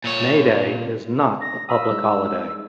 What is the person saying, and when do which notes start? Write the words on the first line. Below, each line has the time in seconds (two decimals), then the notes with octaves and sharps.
May Day is not a public holiday.
0.04 A#2 C#5
1.41 A#6
1.69 F5 B5 D#6 E6
1.91 G3 G#3 D#4